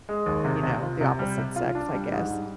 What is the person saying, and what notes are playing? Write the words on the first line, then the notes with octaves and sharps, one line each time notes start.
you know, the opposite sex, I guess.
G#3
D#2
C3
C3
F4
C3
G3
C3
F4
D4
G3
G#2
G3